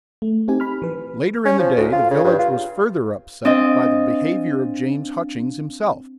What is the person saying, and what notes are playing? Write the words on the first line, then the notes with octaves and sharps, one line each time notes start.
Later in the day the village was further upset by the behaviour of James Hutchings himself.
A3
C4 D#4 G4 G#5
B5 F6
E3 F3 B4
C#4
F3
D2
F4
C#3
G2
F4
C4 D4 D#5 F5 A6